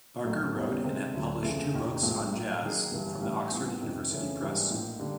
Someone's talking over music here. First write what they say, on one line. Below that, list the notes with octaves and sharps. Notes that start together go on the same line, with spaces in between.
Barker wrote and had published two books on jazz from the Oxford University Press.
B1 A2 F#3 A3
E2 B2 G3 A#3 C#4
C3 D#3 G#3 C4
D2 D3 F#3 A3
F2 C#3 E3 A3
F1 D#2 D#3
B1 A2 F3 G#3
A2 F#3 A#3
D#3 F#3 A#3 D#4 G#4
G1 G2 E3 G3
A1 A2 E3 G3
A#1 A#2 G3 B3
F2 C3 D#3
F2 C#3 E3 A3 C#4
G#2 E3 G3 A#3 D4
A#1 A2 F3 A#3 D#4
D3 G3 A#3 D4